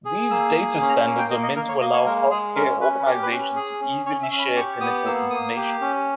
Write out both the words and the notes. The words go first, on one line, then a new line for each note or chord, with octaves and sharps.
These data standards are meant to allow healthcare organizations to easily share clinical information.
G#4
A#3 E6
G#4 D#6
D#6
C#4
A#5
A#3
G5
A#3 D#5
D#5
A#3 A#4
C#5
A#3 D#5
C#5
G#3 A#4
G#3 G#4
C#4 A#4
C#4 B4
G4 A#4
B4
C#4
G#4
C#4
C#4 C#5
E5
C#4
B5
G4 C#6
B3 D#6
A#3 E6
A#3 D#6
G4
C#4